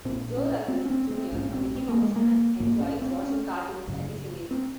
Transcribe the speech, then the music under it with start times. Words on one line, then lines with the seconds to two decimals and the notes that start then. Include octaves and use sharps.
Jo Ruggles Junior a Mickey Mouse fan, enjoys watching cartoons at the cinema.
0.05 A#1 A#2 C4
0.37 C#4
0.68 C4
0.85 C#4
0.90 C4
1.11 C4
1.32 A#1 G#2 C#4
1.54 C4
1.75 C4
1.89 A#3
2.02 G#3
2.16 A#3
2.60 A#1 G#2 A#3
2.80 C#4
3.02 C4
3.23 C#4
3.87 G#1 F#2 C#3
4.51 C4